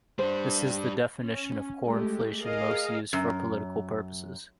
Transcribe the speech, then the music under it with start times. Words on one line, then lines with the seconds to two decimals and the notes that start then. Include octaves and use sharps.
This is the definition of "core inflation" most used for political purposes.
0.19 G3 D4 C5
1.21 C#4
1.86 G#3 A3 G4
2.40 G#4 A#4 D#5 F5
3.13 F#2